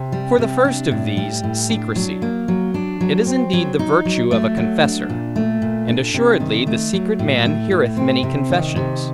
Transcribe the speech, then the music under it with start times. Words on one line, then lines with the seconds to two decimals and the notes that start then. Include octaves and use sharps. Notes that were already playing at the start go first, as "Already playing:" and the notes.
For the first of these, secrecy; it is indeed the virtue of a confessor. And assuredly, the secret man heareth many confessions.
Already playing: C3
0.12 G3
0.38 C3
0.65 D4
0.91 A2
1.17 G3
1.44 A2
1.69 D4
1.96 F#3
2.22 A#3
2.48 F#3
2.74 D4
3.01 F#3
3.27 C4
3.53 F#3
3.79 D#4
4.05 F#3
4.31 A3
4.57 F#3
4.84 D4
5.09 A#2
5.36 A3
5.62 A#2
5.88 D4
6.14 C3
6.40 D#3
6.67 A3
6.93 F#3
7.19 A2
7.46 A3
7.71 A2
7.97 C4
8.23 C3
8.50 D#3
8.76 C3